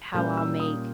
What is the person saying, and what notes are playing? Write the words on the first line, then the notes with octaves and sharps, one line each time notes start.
how I'll make
A#2 G3 A#3 C#4 G6
E6
D#6